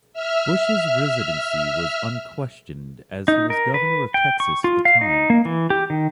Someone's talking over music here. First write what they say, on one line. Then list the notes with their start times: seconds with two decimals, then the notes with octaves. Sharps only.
Bush's residency was unquestioned, as he was Governor of Texas at the time.
0.13 E5 F6
3.28 D#4
3.50 A#4
3.74 B4
4.14 G5
4.40 C#6
4.64 F4
4.85 F5
5.01 D#4
5.30 A#3
5.45 E3
5.70 G4
5.90 D#3